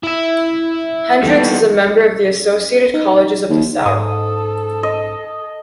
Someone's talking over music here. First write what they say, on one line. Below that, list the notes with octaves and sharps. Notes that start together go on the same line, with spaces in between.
Hendrix is a member of the Associated Colleges of the South.
E4 E5
D#3 E3 G3 B3 A4
D#4
D#2
G#2 A4 D#6
D#5